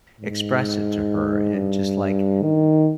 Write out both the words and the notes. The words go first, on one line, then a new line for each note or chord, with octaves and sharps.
express it to her, eh, just like,
G#2
G2
D#3